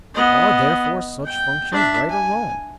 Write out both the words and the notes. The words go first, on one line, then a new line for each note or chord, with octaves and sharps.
Are, therefore, such functions right or wrong?
B3 D#5
G5
D4 E5
G#5